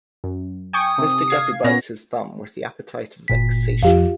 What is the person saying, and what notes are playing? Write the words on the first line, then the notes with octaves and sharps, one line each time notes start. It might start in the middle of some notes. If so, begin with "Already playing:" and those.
Mr. Guppy bites his thumb with the appetite of vexation.
F#2
G5 G#5 C#6 D#6
C3
F5 G#6 C7
A#2 B3 C#4 A#6
G1 A#2 B6
F2 F3 F4 G4 F5